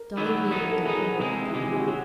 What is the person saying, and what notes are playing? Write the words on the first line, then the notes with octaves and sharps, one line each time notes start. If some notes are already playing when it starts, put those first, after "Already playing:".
Dolly Reid had done her work and gone home.
Already playing: A#4
D#3 F#3 B3 E4
F#3 B3 D#4
A#4
A4
A#4
F#3 B3 D#4 G#4
C3 E3 G#3
C3 E3 G#3 G4
G#4
G4
F#4
F#3 G4